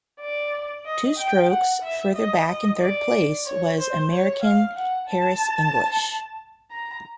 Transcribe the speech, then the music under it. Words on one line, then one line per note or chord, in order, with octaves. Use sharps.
Two strokes further back in third place was American Harris English.
D5
D#5
G5
F#5
E5
D#5
D#5
D5
C#5
C5
C#5
F5
F#5
A5
A#5